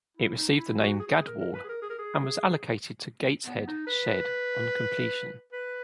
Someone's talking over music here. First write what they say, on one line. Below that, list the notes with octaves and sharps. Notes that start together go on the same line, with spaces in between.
It received the name "Gadwall", and was allocated to Gateshead shed on completion.
E4
D#4
E4
F#4
G#4
F#4
G#4
A#4
A#4
B4
G#4
A#4
G#4
A#4
G#4
B3
D#4
B4
B4